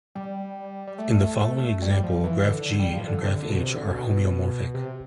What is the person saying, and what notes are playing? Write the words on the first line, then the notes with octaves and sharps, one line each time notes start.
In the following example, graph G and graph H are homeomorphic.
G3
G3
A3
G3
F3
E3
D3
D3
G3
F3
D3
C3
D3
B2
C3
D3
B2
C3